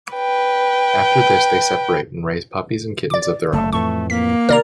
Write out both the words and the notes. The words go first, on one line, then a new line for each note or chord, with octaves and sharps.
After this, they separate and raise puppies and kittens of their own.
B4 G5
D5 D6
F#1 A3
F2 A2 E3 A3 C#6
A#3 B6
C3 D#3 A#4 D5 A#5